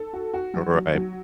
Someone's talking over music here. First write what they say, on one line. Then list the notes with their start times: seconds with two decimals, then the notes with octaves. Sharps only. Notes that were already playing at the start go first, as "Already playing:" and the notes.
You're right.
Already playing: A4
0.13 F#4
0.34 F#4
0.54 F#3
0.75 F#3
0.95 F#3